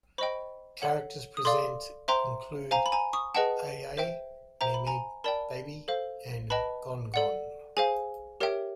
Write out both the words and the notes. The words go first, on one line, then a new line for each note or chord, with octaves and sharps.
Characters present include AiAi, MeeMee, Baby, and GonGon.
C5 D#5 G5 B5 C#6
A4 C#5 F#5
D#6
A4 D5 F5 C6 D6
C5 E5 G5 A#5 C6
C5 F5 G#5 A#5
B5
G#5 A#5
C#6 D#6
G#4 B4 D#5 F#5 G5 A5
C5 E5 G5
C5 E5 G5 A#5
B5
G#5 A#5
A#4 D5 G5 A5 B5
A4 C5 F5
B4 D#5 G5 A5 B5
A4 D5 F#5
G#4 C5 F5 G#5
G4 A#4 C#5 E5 G5